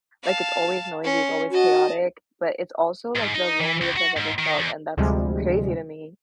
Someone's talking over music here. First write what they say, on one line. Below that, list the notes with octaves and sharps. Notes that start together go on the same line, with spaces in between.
Like, it's always noisy, it's always chaotic, but it's also, like, the loneliest I've ever felt, and that's crazy to me
F5 A5
C#4 C6
F#4 D#5 A5
G#2
D#4
E3
C#2
F#4
G#2
D#3
E2
D2 C3 F3 G3 G#3